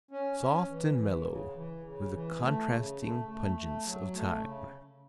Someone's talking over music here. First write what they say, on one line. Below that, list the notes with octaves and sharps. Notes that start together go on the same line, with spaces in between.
Soft and mellow, with the contrasting pungence of thyme.
C#4
C#4
E3
E3
C#3
E3
C#3
E3
A3
C#3
A3
A3
A3
F#3
A3
C#3